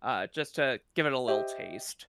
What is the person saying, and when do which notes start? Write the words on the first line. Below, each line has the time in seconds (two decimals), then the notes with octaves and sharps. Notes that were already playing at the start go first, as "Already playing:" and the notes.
uh, just to give it a little taste.
1.28 G4 C5 D#5 E5